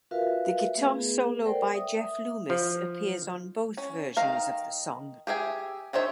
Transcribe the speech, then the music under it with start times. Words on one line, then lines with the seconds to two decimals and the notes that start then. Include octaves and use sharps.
The guitar solo by Jeff Loomis appears on both versions of the song.
0.11 F4 F#4 A#4 B4 E5 F5
0.75 A3 B3 G#4 B4
1.45 A4 A#4 C5 D5 F#5 G5
1.74 E5 D#6
2.50 F3
3.77 C#4
4.17 D#3 F5 A#5
5.27 G4 G#4 E5 G#5
5.93 D#3 D4 C5 C#5 E5